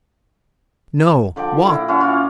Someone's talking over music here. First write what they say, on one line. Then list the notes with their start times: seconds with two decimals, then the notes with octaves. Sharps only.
No. Walk.
1.36 D3 F3 D5 G5
1.66 A#2 E4
1.88 C#4 E4 F#4 F#5
2.00 C#4 F4 D5